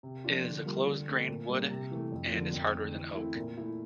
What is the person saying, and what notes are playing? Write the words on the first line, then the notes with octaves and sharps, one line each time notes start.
It is a closed-grain wood, and is harder than oak.
C3
F3 A#3 D4 F4
D3
G3 A#3 F4
D3
A3 C4
A#2
G3 A#3
C3
E3 A3
F2
D3 F3 A#3
F2
D3 A3
E3
A3 C4 E4
A#2
A3 E4